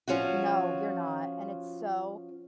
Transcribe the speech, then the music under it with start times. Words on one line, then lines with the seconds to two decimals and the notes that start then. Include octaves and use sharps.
No, you're not, and it's so,
0.08 F3 C#4 F4 F#4